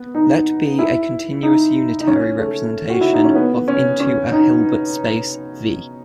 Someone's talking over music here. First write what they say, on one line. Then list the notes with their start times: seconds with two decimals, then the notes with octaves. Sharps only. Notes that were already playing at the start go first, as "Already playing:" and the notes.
Let be a continuous unitary representation of into a Hilbert space "V".
Already playing: B3
0.15 D#4
0.79 E4
1.43 D#4
2.01 D#4
2.07 C#4
2.39 A3
2.90 F#4
3.01 E4
3.13 D#4
3.24 C#4
3.35 B3
3.68 C#4
4.00 C#4
4.32 D#4